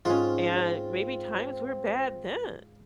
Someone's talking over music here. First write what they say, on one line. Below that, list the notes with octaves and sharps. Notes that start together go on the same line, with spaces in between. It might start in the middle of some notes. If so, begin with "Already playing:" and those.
And maybe times were bad then,
G#2 C4 C#4 F4